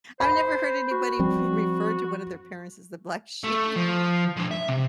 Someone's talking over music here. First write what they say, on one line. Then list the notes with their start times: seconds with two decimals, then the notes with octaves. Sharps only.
I've never heard anybody re refer to one of their parents as the black sheep.
0.20 C5 B5
0.91 F#4
1.19 F3 G3 C4
3.44 A3
3.76 F3
4.36 G#3 D4
4.51 E5
4.69 C3